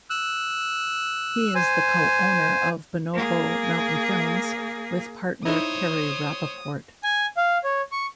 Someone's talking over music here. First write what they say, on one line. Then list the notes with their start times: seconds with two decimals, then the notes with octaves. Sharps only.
He is the co-owner of Bonobo Mountain Films with partner Carrie Rapaport.
0.10 E6 F#6
1.55 C5 G#5
3.14 A#3 G#4
5.45 D#4 E4 C5 C#5 D#6
7.03 G#5
7.37 F5
7.64 C#5
7.92 C#6